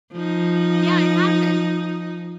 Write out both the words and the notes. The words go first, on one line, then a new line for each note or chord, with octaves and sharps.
Yeah, it happen.
F3 D#4